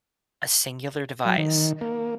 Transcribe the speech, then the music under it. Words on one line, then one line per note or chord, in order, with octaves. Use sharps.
a singular device
F#3
D#3
A#3